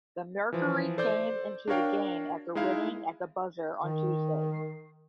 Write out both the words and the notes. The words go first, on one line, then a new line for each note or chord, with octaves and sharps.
The Mercury came into the game after winning at the buzzer on Tuesday.
E3 F3
A4 C5 D5 G6
D4 F#4 A#4 C#5 F5 G5
G#3 D#4 E4 F5
D#3